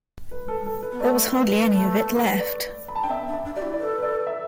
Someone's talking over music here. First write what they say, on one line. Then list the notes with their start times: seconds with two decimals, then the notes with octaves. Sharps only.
There was hardly any of it left.
0.31 B4
0.48 A4
0.66 A4
0.83 B4
0.92 B3
1.00 A3 D5
1.23 B4
1.47 B4
1.70 A3 B4
1.94 A4
2.17 B4
2.40 D5
2.88 B5
2.95 A5
3.03 D4 G5
3.10 B3 E5
3.28 D4
3.33 E5
3.45 D4
3.55 G4 D5
3.62 E4
3.74 D5
3.80 A4 B4
3.98 B4
4.03 D5
4.27 E5